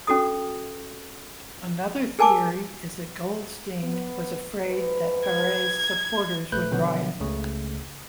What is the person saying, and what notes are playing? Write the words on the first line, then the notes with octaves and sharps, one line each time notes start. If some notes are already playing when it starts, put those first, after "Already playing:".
Another theory is that Goldstein was afraid that Paret's supporters would riot.
C#4 F#4 A4 D#6
G#4 A#4 G#5 A5 D6
B3
G#2 B4
G#6
A#1 A3 B4 F#6 G6
B2 D3 F3 F#3 B3
C#2 C#3 A3